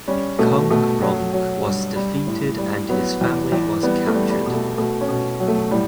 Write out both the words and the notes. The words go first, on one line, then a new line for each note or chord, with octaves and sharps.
Kong Rong was defeated and his family was captured.
G3 C#4
B2 A3
B2 A3
F#3
F#3
G2
G3
A2
G3
F#3 B3
E2
E2
G3 B3
A3
G3
G3
B2
A3
B2 A3
C#4
B2
F#3
A3
A2 G3